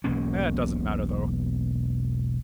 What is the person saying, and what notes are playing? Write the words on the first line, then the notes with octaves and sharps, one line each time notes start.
It doesn't matter, though.
E1 B1 A#3 C#4